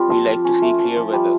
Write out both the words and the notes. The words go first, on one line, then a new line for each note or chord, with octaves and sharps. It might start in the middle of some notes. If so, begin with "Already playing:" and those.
We like to see clear weather.
Already playing: G3 C4 F4
F3
F3
C#4
A3
F3
F3
G3